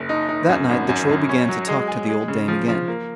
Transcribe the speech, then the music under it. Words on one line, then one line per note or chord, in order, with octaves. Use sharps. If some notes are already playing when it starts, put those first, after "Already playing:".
That night the Troll began to talk to the old dame again.
Already playing: F#1
D#4
D#4
F#2
G#1
F#2
F#2
C#4
F#3
G#3
G#4
G#3
C#3
F3
F3
A#3